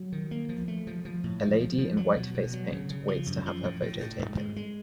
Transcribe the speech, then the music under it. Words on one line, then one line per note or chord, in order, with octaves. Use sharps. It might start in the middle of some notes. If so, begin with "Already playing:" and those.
A lady in white face paint waits to have her photo taken.
Already playing: F#3
D#3
A#3
F3
A3
F3
F3
A2
F3
F3
F3
F#3
B2
B2
F#3
C#3
C#3
F3
F#2
F3
A2
A2
A2
G#2
G#3
G#3